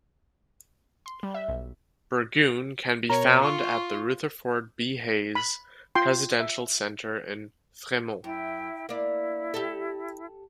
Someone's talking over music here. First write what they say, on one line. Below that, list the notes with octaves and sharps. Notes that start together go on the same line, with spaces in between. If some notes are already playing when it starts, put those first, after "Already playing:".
Burgoon can be found at the Rutherford B. Hayes Presidential Center in Fremont.
C6
G3
E5
B1
B2 A#4 C#5 A#5
F4 C#6
B5
F4 G5 C6
E5
F#2 E4 E5 G5
A#3 D4 E4
G4 A4